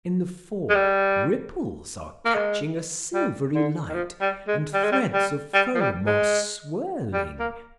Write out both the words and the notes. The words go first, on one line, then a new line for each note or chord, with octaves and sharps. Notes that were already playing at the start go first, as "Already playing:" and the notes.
In the fore, ripples are catching a silvery light, and threads of foam are swirling.
G#3
G3
A#3
G#3
G3
D3
D#3
F3
G3
G#3
G3
G#3
G3
G3
G3
F3
G3
G#3
G3
A#3